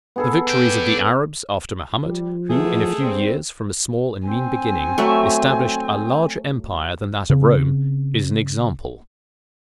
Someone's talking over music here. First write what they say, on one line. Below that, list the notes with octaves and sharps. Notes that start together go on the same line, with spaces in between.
The victories of the Arabs after Mahomet, who, in a few years, from a small and mean beginning, established a larger empire than that of Rome, is an example.
B3 G#4 A4
D4 G5
F3 G3
G#2 B2 E3 A3 G#4
G2 G3 C4
C4 G#5
F#3 A3 E5
C#3 C4